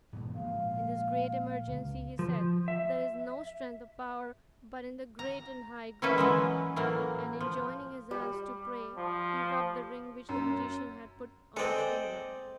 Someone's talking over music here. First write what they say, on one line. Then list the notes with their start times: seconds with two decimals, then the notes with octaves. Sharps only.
In this great emergency he said, "There is no strength or power but in the great and high God"; and in joining his hands to pray he rubbed the ring which the magician had put on his finger.
0.13 G#2 B2 E3
0.35 A#2 F3 G#3 F5
1.68 C#2
2.19 F3
2.68 E5
5.19 A#5
6.02 E3 A#3 C#4 A4 B4 E5
6.18 E3 F#3 G#3
6.76 A2 E3 F#3 A#3
7.41 F3
8.11 G3
8.97 F3
10.29 F#2
11.56 G#3 C4 A4 D5 D#5